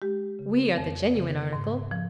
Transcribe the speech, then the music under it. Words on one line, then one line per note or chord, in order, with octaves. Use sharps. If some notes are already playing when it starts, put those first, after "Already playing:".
"We are the genuine article."
G#3 G4
C#3
F2
C#3
G#2
F3